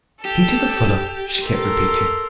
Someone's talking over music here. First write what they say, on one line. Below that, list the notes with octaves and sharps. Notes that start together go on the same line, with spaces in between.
"Peter the fuller!" she kept repeating.
G4 A4
A4 A#4 C6